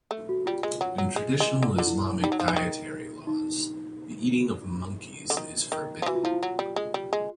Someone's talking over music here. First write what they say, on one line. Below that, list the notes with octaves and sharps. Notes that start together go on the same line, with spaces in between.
In traditional Islamic dietary laws, the eating of monkeys is forbidden.
A3
F#4
G3 F4
G#3
F#3
F#3
G#3
G#3
D3
D3 F4
E4
G3 D#4
F#3
F3
E3
D#3
D#4
D3
D#3
D#3
F3
E3 F#4
F4
F3 E4
F4
F#3
G3
G#3
G3
G#3